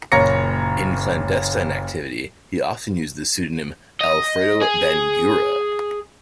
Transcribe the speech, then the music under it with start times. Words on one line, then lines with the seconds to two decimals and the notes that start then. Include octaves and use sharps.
In clandestine activity he often used the pseudonym Alfredo Bangura.
0.12 F#1 A#2 C#5 A#5 A#6 C#7
4.01 D#5
4.61 G#4